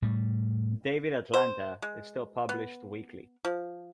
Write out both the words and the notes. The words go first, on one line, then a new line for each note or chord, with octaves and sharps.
"David Atlanta" is still published weekly.
A2 G3
C5
G#3
B3
F3